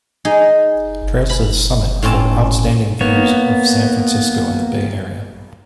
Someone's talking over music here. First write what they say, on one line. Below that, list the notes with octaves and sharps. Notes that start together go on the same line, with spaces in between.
Trails to the summit afford outstanding views of San Francisco and the Bay Area.
D#4 G#4
B5
A2 C4 C#4 A5
A#3 B3 C#5